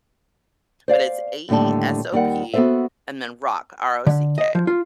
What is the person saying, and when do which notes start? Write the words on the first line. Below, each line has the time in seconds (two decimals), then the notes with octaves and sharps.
But it's A-E-S-O-P and then rock, R-O-C-K.
0.88 C5 D5 F5
1.49 D#2 A2 D3 G3 A5
2.12 D#2 D#3 G3 A#4 F#5
2.54 B3 F#4 A4 C5 E5
4.07 D3
4.38 D#5
4.55 F3
4.67 F4